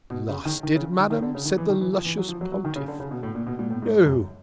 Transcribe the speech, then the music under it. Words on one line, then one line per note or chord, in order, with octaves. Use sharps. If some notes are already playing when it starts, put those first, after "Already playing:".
Blasted, Madam, said the luscious Pontiff; No!
B2
C#3
D#3
D#3
C#3
D#3
D#3
D3
C#3
D#3
E3
D#3
E3
F3
E3
F#3
F3
F#3
F#3
D#3
C#3
D3
C#3
B2
A2
A#2
B2
A#2
A2
G#2
G#2
F#2